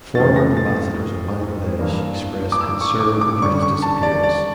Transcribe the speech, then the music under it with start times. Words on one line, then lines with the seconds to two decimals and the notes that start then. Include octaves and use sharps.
Former Ambassadors of Bangladesh expressed concern over his disappearance.
0.15 F2 E3 A3 C#4 A6
0.36 A#6
0.57 A6
1.78 G2 E3 A#3 D4
2.52 D6
2.61 E6
2.81 C#6
3.00 D6
3.21 D6
3.42 D3 G3 C#4 C#6
3.62 C#6
3.82 A5
4.03 D5
4.23 D5